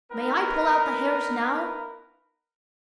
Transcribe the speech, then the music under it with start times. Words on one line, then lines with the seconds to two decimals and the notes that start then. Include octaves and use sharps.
"May I pull out the hairs now?"
0.11 B3 D#4 A#4 B4